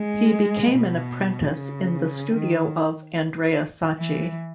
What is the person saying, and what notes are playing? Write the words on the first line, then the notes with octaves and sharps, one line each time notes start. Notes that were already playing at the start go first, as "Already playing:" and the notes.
He became an apprentice in the studio of Andrea Sacchi.
Already playing: G#3
B2
C#3
D#3
E3